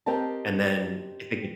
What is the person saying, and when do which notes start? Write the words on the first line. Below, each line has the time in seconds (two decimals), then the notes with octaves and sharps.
and then if it gets
0.06 C4 G4 A#4 D#5 A5